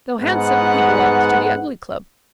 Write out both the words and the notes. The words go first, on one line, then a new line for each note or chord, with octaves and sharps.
Though handsome, he belonged to the Ugly Club.
G#2 B3 F#5